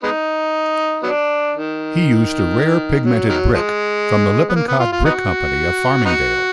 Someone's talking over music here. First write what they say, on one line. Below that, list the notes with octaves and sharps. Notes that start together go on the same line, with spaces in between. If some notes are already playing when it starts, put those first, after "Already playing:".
He used a rare pigmented brick from the Lippincott Brick Company of Farmingdale.
G#3 B3 D#4
F#3 B3 D4
D#3
F#3
D#3 F#3
F3 G#3
B3
A#3
B3
F4
F4
B3 D#4 F#4
B3 D#4 F#4